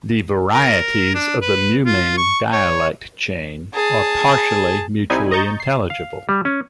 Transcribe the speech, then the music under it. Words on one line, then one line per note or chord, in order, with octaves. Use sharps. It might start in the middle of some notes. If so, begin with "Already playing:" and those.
The varieties of the Mumeng dialect chain are partially mutually intelligible.
A#4
D4
B4
F4
C#6
C#5
G#4 A5
C2 C3 G3 D#4 E4 G#5
D#5 A#5 C#6 G6 A6
C7
F5
G3
C#4